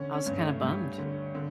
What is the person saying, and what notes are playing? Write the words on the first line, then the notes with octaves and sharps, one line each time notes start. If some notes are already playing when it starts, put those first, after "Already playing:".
I was kinda bummed.
Already playing: D3 C#4
C#4
G2
A3
G2 G3
D3
D3